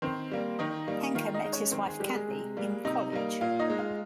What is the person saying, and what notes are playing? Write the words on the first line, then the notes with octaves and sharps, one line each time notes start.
Henke met his wife Kathy in college.
D#3 C4 C5
G3 A#3
D#3 D#4 D#5
G3 A#3
D#3 F4 F5
D#4 D#5
G#3
C#4 C#5
D#3 C4 C5
G#3 G#4
G3 G#3 G4
A#4
G#3 G#4
C3
G3 A#3
C3 D#4 D#5
G3 A#3
A#2 F4 F5
D#4 D#5
G#3
F4 F5